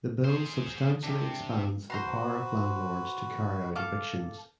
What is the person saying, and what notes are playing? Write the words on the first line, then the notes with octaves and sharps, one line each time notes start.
The bill substantially expands the power of landlords to carry out evictions.
G#4 C5
C3 D4 G5
F#4 B4 C5 A#5 C6
A4 F5 D6